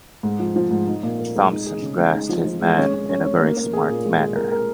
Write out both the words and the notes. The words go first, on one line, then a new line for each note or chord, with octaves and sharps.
Thompson grassed his man in a very smart manner.
G#2
F3
F3
G#2
D#4
A#2
A#4
G#3
D#4
G#4
C#3
G#3
D#4
F3
F3
G#3
C#4
C#4
C#4
C#4
A#3
A#3
G#4
A#2
G#3
G#3
A#4
A#4